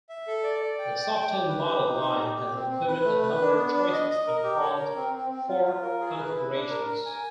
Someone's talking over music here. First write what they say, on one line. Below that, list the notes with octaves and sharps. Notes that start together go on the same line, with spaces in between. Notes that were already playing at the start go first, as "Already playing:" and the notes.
The Softail model line has included a number of choices in front fork configurations.
E5
A4
D5
D5
G5
G5
G5
G4
B4
G4
D#4
G4
G4
G4
C4
C4
B4
A3
B4
D4
B3
D4
D#5
D#5
A#4
G4
C#5
A#4
C4
C4
C4
F4
F4
A#4
G#4
B4
E4
D4
A#4
A#4
G#5